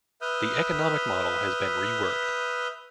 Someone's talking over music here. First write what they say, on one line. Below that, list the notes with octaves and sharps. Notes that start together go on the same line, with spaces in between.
The economic model has been reworked.
B4 E5 D#6 F6 G6